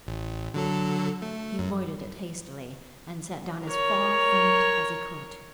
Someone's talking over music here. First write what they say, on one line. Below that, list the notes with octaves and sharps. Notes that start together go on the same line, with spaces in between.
He avoided it hastily, and sat down as far from it as he could.
A1
D3 F#3 A4
A3
F#2
A#4 C#5